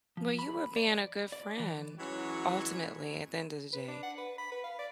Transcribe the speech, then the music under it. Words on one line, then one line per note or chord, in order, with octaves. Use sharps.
Well, you were being a good friend, ultimately, at the end of the day.
F3
B5
D5
D5
E3
E3 F#3 G#3 C#4 F#4 C#5
B4
D4
F#5
B4
B5
B4
F5
D5